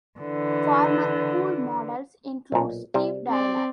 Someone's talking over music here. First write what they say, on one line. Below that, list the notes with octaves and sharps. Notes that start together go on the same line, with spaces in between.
Former Kool Models include Steve Tyler.
D3 E3
B1 A#2
C3 G3
C4 D5